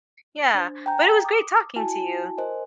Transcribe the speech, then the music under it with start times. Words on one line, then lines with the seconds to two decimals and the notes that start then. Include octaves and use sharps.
Yeah, but, it was great talking to you.
0.54 D4 C5
0.86 G5 G#5 A#5 G6
1.25 D6 D#6
1.76 E4 F#4 G#5 A5
2.38 A#4 C5 D#5 G#5